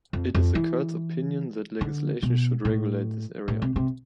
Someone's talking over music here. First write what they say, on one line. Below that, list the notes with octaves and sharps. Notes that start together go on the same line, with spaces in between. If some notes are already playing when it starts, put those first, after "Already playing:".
It is the Court's opinion that legislation should regulate this area.
F2
F2
E3
D3
B2
A2
A2
C3
C3